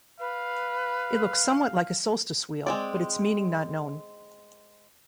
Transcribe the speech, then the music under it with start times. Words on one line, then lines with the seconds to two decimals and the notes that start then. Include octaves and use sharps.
It looks somewhat like a solstice wheel, but its meaning not known.
0.20 B4 F5
2.66 G#3 C4 D5